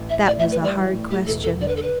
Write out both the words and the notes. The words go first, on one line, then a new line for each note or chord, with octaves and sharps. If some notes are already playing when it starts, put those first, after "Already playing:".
That was a hard question.
Already playing: A1
E4 E5
A2 D5
E5
A2
B4
G3 D5
E3
A2
A2 G4
E1 A4
E1 A4
D3 D5
B4
A4
B4